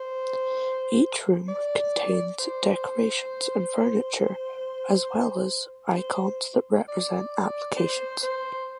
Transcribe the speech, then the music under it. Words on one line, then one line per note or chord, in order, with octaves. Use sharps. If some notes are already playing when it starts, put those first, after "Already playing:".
Each room contains decorations and furniture, as well as icons that represent applications.
Already playing: C5
D5
C5
C5
D5
C5
C5